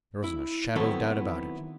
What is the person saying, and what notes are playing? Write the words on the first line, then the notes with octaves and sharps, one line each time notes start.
There wasn't a shadow of doubt about it.
E4
D#3 F#3 B3 C4 E4 A4